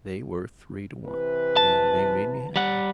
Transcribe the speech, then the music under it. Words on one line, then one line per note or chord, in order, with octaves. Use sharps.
They were three to one--and they made me happy.
C3 E3 B4
A5
G3 F#5